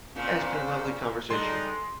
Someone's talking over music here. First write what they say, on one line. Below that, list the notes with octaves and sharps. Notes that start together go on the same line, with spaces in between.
yeah, it's been a lovely conversation.
A#2 C#3 C4 D4 C5
G3 G#3 D#4 A4 C6